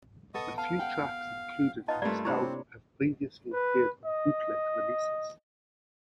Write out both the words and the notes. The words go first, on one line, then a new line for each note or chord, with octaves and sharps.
A few tracks included in this album have previously appeared on bootleg releases.
B3 A4 D#5 C#6 D#6
F5 A5
F#5 G5
B3 D#4 F4 D#5 A5
G2 A3 A#3 F4 B4 D5
C3 C4 D4 E4 C5 C#5 B5
B4
D#5